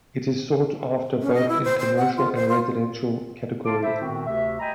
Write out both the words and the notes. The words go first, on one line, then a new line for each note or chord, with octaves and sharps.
It is sought after both in commercial and residential category.
C#4
D#5
E4
C5
C5
F#5
F4
C5
F4
F4 A5 C6 D6
E4 C5 E5
A#2 D#3 B3 C4 F#4
D2 C3 A3 E5
D#5 G5 G#5 A#5 B5